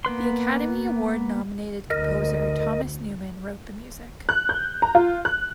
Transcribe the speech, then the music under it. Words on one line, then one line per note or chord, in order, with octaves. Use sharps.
The Academy Award-nominated composer Thomas Newman wrote the music.
A#3 B3 B4 C6
D2 A#4 D#5
F#6
G6
A#5
F4
F#6